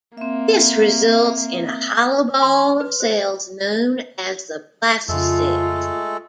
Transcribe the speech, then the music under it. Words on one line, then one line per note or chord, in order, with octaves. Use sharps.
This results in a hollow ball of cells known as the blastocyst.
A#3 C4 E5
C6
C6
B4
C5
F2 C#3 G#3 A3 F4 A4